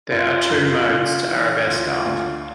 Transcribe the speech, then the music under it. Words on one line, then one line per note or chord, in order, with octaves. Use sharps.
There are two modes to arabesque art.
F#2 F4
F#2
C#3
E3
D2 F4
D2